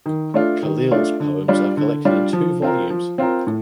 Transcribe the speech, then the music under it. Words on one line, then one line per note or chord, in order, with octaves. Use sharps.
Khalil’s poems are collected in two volumes.
D#3
A3 D4 F4
D#3
A3 D4 F4
D3
G3 D4 F4
D3
G3 D4 F4
F3
C4 F4 A#4
F3
C4 F4 A#4
A2